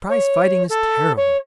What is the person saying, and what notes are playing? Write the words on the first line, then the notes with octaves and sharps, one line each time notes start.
Prize-fighting is terrible.
C#5
A4
C#5